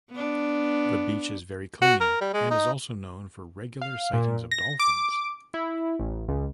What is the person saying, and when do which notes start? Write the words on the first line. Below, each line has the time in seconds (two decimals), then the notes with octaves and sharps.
The beach is very clean and is also known for regular sightings of dolphins.
0.12 B3 D4
1.82 F#4
2.01 A#4
2.21 G3
2.33 G#3
2.50 D#4
3.82 F5
4.13 A#2
4.51 A#6
4.79 D6
5.54 E4
6.00 A1
6.28 C#2